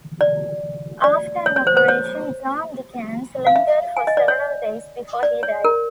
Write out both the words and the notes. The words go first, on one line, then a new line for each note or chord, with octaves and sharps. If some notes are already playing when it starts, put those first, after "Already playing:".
After an operation, John Dickens lingered for several days before he died.
D5
D5
C#5
C#5
C5
C5
C#5
F5
E5
G#5
D#5
D5
C#5
D5
C#5
A#4